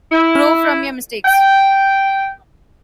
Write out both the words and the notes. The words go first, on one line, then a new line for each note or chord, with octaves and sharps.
You grow from your mistakes.
E4
G5